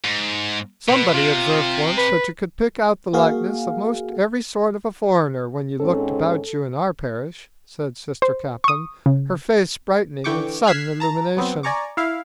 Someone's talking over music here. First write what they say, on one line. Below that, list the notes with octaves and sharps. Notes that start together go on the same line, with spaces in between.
"Somebody observed once that you could pick out the likeness of 'most every sort of a foreigner when you looked about you in our parish," said Sister Caplin, her face brightening with sudden illumination.
G#2
B2 B4
C3 F4
B4
A#3 F#4 G#4 F5
G#2 C4 C#4 A4
C5
C#6 D#6
C#3
D3 E3 G5 C#6 D6
F6 F#6 G#6 B6 C7 E7
A5 A#5 A6
F#3 B3 C4
D5 G#5 A#5 C#6 D6
E4 E5 F5